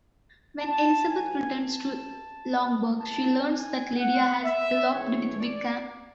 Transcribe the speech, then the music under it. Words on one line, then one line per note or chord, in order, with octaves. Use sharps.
When Elizabeth returns to Longbourn, she learns that Lydia has eloped with Wickham.
A5
A2 F#3 B3 E4 G#5
A5
E2 D3 A3 E4 A5
G#5
F#5
E5
G#2 E3 A3 C#5
D5